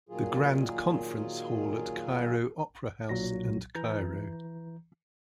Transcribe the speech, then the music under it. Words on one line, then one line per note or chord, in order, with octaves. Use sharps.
The Grand Conference Hall at Cairo Opera House and Cairo.
A#2 D#3 F#3 F4 G#4
B1 A#2 F#3 A#6
E3 A#5 G6